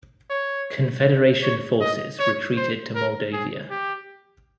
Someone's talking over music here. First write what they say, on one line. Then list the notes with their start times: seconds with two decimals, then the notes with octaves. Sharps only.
Confederation forces retreated to Moldavia.
0.30 C#5
1.43 C#5
1.81 D#5
2.19 C#5
2.57 C5
2.95 A#4
3.33 G#4
3.70 G4